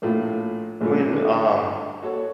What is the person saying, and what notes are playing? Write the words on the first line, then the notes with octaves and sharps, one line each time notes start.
when um,
A#1 A2 F4
A#1 G#2 D3 C#4 F4
D3
F#4 A4 C#5